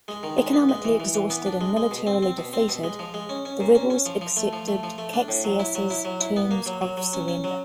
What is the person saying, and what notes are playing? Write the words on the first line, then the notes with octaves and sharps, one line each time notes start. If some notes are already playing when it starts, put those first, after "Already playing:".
Economically exhausted and militarily defeated, the rebels accepted Caxias' terms of surrender.
G#3
D#3
G#3
B3
G#3
E3
E3
E3
B3
D4
G#3
G#3
B2
C4
C4
B2
C4
B2
G#3
F3
G#3
C#4
C#4
A#2
C#4
C#4
F3
F3
A3
F3
A3
F3
A3
D4
A2
F#3
E4
F#3
E4
F#3
E4
B3
A#3
F#3
F#3
F#3
C#4
C#4
F#3